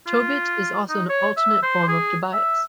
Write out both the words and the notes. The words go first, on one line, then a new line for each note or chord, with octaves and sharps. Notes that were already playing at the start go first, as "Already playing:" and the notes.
Tobit is also an alternate form of Tobias.
F4
D#4
C#5
E5
C5
G#4
E5